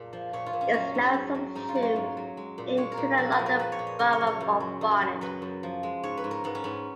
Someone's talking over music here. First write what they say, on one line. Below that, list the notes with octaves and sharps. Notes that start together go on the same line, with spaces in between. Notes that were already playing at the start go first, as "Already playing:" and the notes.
It is now subsumed into the London Borough of Barnet.
Already playing: A#2 G#4
F3
A#2 C#5
F4
A#2
C#4
F#3 C#4
G#2
F#3
F#3
G#2 D#4
F4
F#3
C#5
G#2
F#3
G#3
A#2
G#3 C#5
A#4
A#2
F3 F#4
G#4
F3
A#4
F3 B4
C#5
A#2
D#5
C#3 C#5
C#5
F#2
C#5
F#2
F#3
F#2
F#3
F#3 B4
F#2
F3
G#3
G#2 C#5
B4
G#2
A#4
G#2 B3
C#4
G#2 B3